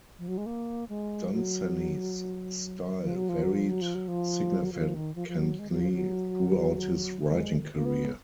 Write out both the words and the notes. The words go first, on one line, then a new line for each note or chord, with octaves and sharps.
Dunsany's style varied significantly throughout his writing career.
F3
F#3
G#3
A#3
G#3
F#3
F3
F#3
F3
F#3
F3
F#3
F3
F#3
F3
F#3
F3
D#3
F3
F3
F#3
G#3
F#3
F3
F#3
G#3
A#3
B3